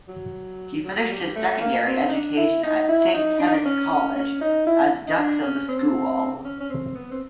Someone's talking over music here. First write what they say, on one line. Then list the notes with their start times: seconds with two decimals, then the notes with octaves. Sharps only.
He finished his secondary education at Saint Kevin's College as dux of the school.
0.08 F#3
0.85 F#3
1.10 G3
1.35 A3
1.61 A#3
1.87 C4
2.08 D#4
2.11 D4
2.37 E4
2.63 D#4
2.88 E4
3.14 D#4
3.39 D4
3.47 D#4
3.54 D4
3.65 C#4
3.90 C#4
4.15 C#4
4.41 D#4
4.67 E4
5.07 D#4
5.17 D4
5.43 C#4
5.68 C4
6.45 C#4
6.60 C#4
6.70 C4
6.95 B3
7.11 C4